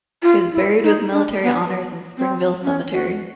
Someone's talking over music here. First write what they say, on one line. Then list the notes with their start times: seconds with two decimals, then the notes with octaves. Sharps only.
He was buried with military honours in Springvale cemetery.
0.23 F4
0.52 E4
0.83 D#4
1.12 D4
1.43 B3
2.18 C4
2.63 C#4
2.92 F#4